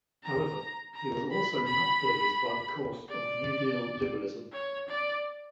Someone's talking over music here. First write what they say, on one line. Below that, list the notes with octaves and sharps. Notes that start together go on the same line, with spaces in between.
However, he was also not pleased by the course of New Deal liberalism.
A#5
A#5
B5
B5
D5
C#5
D5